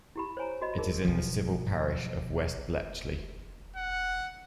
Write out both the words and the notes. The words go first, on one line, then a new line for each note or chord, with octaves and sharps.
It is in the civil parish of West Bletchley.
E4 G4 B5
C5 C#5 G#5 A#5
F#4 D#5 B5
D#4 G#4 A#4
B1 F3
F#5